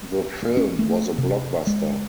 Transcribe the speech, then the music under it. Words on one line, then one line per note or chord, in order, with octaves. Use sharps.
The film was a blockbuster.
C#4
A3
C3
G#3